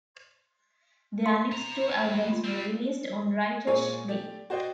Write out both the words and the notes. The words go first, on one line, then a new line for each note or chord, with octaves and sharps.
Their next two albums were released on Righteous Babe.
C6
C3 A#5 B5
F3 C4
F4
G3 C4
A#2 G#3 A#4 C#5 G#5
A3 G4 D5
F#4 C5 D5 D#5 G5